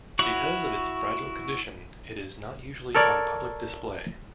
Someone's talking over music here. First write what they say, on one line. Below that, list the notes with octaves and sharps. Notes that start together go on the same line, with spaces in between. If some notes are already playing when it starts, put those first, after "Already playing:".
Because of its fragile condition, it is not usually on public display.
E4 F#4 C#5 F#5
A4 A#4 C#5 D5